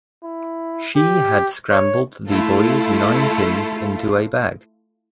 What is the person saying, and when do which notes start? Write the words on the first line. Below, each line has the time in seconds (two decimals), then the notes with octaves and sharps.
She had scrambled the boy's nine-pins into a bag.
0.24 E4
0.96 G4
1.71 C#5
2.30 A3 E4 F4 A4